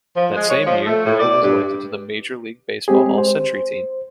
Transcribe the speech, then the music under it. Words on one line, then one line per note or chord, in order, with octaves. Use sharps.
That same year, Grove was elected to the Major League Baseball All-Century Team.
F3
G#3
C#5
F3
A3
A2
D5
G2
G#3 C4 G4 G#4
C5